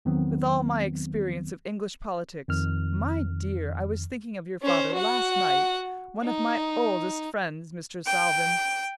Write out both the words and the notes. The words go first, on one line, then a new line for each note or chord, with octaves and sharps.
With all my experience of English politics--My dear, I was thinking of your father last night--one of my oldest friends, Mr. Salvin.
E2 D#3 F#3 B3 C4
F2 D#3 F6
C#4 C5
F#4 F#5
D#4
G5